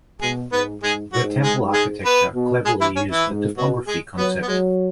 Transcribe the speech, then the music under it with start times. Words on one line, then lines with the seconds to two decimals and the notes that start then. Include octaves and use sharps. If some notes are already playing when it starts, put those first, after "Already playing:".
The Temple Architecture cleverly used the topography concept.
0.21 B2 G#3 G#4
0.52 G#2 B3 B4
0.82 G#2 G#3 G#4
1.13 G#2 F#3 F#4
1.43 G#3 G#4
1.74 G#3 G#4
2.04 B3 B4
2.35 B2
2.65 G#3 G#4
2.81 E3 E4
2.96 C#4
3.11 E3 E4
3.26 G#2
3.57 B2 F#3 F#4
3.87 G#3 G#4
4.17 F#3 B3 B4
4.42 B3
4.48 F#3 G#3